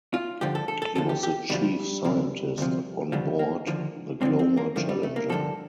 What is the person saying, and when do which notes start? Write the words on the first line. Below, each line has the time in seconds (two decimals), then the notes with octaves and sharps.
He was the chief scientist on board the Glomar Challenger.
0.14 F4
0.41 G2 D3 F3 G4
0.55 A4
0.68 A4
0.82 A4
0.95 D2 D3 F3 A4
1.09 G4
1.23 G4
1.50 D2 D3 F3 G3
2.05 D2 C3 F3
2.58 D2 C3 F3
3.12 D#2 D3 F3 G3
3.39 A#3
3.67 D#2 D3 F3
4.21 G2 D3 F3 C4
4.39 C4
4.57 A#3
4.76 G2 D3 F3 A3
4.89 G3
5.03 A3
5.16 A#3
5.29 G2 D3 F3 A4